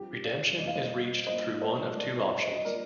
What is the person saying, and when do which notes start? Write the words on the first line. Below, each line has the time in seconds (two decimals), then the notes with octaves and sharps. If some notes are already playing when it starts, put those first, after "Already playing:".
Redemption is reached through one of two options.
Already playing: G2 F3 C4 G4
0.24 D5 F5
0.58 F2 C3 G3 A#3 D#5
0.67 F5
0.76 C5 D#5
1.27 A1 G2 F3 A#3 C5 D#5
1.62 A4 C5
1.96 A1 G2 F3 A3 C4 A#4 D5
2.19 C5 D#5
2.42 C5 D#5
2.56 D#5
2.65 F3 A#3 A#4 D5